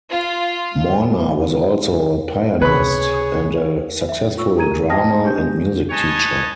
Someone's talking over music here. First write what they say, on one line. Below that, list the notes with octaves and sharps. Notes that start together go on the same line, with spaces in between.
Morna was also a pianist and a successful drama and music teacher.
F4
C#2 C3 G#4 B4 C#5 B5
E5
F4 C#6 E6
G4 A#4 G#5 A#5 G#6 D#7
D#5 G5 A5 D#6 F6 A#6
D4 G4 G#5 G6
B4 C#5 D#5 G#5 A5